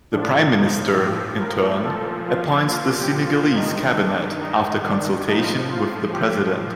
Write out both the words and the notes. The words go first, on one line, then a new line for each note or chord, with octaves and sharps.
The Prime Minister, in turn, appoints the Senegalese cabinet, after consultation with the President.
A2 F3 D4
D#4
G4
A#4
A#2 F3 A4
F4
F4
G4
F4
G2 D#3 D#4
D4
D#4
D4
A2 F3 D#4
F4
G4